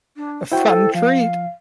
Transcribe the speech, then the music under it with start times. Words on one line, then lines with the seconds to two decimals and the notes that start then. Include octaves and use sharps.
A fun treat.
0.17 D4
0.52 E4 F#4 C5 G5
0.68 A4
0.94 F3 F5